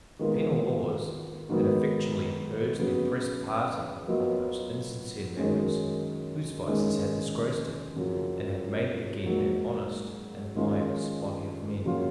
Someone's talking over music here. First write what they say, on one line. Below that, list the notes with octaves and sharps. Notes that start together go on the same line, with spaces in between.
The penal laws had effectually purged the oppressed party of those insincere members whose vices had disgraced it, and had made it again an honest and pious body of men.
D#3 G#3 B3 F4 A#4
G#2 D#3 F#3 B3
C#3 F#3 B3
F#3 B3 F4 A#4 D#5
F#2 D#3 G#3 C#4
D#3 G#3 C#4
F#2 C#3 F3
G#2 F#3 A#3
D#3 G#3 C#4 F4
F#2 C#3 F#3 A#3 F4